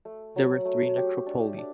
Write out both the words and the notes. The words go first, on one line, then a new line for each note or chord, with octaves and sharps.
There were three necropoli.
A3
F#3
A3
G4
D4
D4